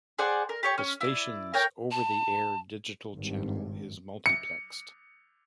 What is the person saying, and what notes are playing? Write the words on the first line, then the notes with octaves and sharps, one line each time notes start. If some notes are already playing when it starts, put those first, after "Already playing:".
The station's over-the-air digital channel is multiplexed.
G#4 C5 D5 F#5
A#4
G4 C#5 C#6
C#4
E4 D5
A#4 C#5 G5
A5
G#1 G2
C#7